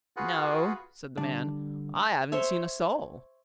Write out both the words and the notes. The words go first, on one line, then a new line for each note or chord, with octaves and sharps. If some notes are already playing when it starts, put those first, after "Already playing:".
'No', said the man, 'I haven't seen a soul.'
F4 F#4 G#4 B4 F#5
D3 G3 D4 D5
C5 C#5 E5